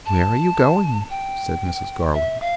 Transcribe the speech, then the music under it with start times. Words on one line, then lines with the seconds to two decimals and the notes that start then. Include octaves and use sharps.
'Where are you going?' said Mrs. Garland.
0.06 A5
1.10 G5
2.15 E5
2.41 F5